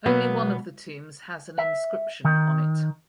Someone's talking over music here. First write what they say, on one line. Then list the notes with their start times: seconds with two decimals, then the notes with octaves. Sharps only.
Only one of the tombs has an inscription on it.
0.06 B2 F#3 A#3 B3
1.58 E5
2.25 D#3